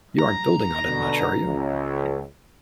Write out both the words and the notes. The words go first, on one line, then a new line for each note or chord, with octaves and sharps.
You aren't building on it much, are you?
A#5
B2 D3
C#2